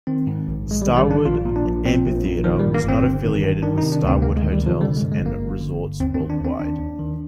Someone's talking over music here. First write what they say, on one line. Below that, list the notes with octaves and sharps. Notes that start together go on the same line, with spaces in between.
Starwood Amphitheatre was not affiliated with Starwood Hotels and Resorts Worldwide.
D#3 C4
G#2
A#1
A#1 G#3
G3
D#3
G3
G#2 D4
A#1 F4
A#2
D4
A#1
A#2 C4
A#1
A#2
D#3 F3
G3
G2
A#3
G1 C4
G1
D#3
G2
D#3 D4
D#4
C3
D4
D2 C4
D2 A#3
G#3
D#3
G3
C3 F3
D3 G3
G#3
G2
G#3
G1
A#3
G1
D3
G2
D#2 C4
C4
D#3
D4
D#2 C4
D#3 D4
D#2
D#3